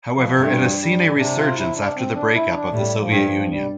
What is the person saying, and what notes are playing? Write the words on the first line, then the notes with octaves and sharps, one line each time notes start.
However, it has seen a resurgence after the break-up of the Soviet Union.
F3
G2 A3
G3
F3
G3
G3
C3 D4
F4
E4
D4
C4
D4
E4
D4
A2 G3
F3
G2
F3
G3